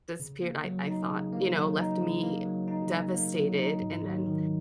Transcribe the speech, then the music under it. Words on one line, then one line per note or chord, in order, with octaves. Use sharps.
disappeared I I thought, you know, left me devastated and then
C#3
A#3
F#3
D#4
C#3
A#3
F#3
D#4
C#3
A#3
F#3
D#4
C#3
A#3
F#3
D#4
G#2
F#3
D#3